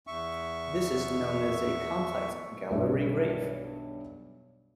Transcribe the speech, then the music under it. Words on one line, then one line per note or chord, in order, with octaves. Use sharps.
This is known as a "complex gallery grave".
E2 E5 C#6
B1 G2 C#5 E5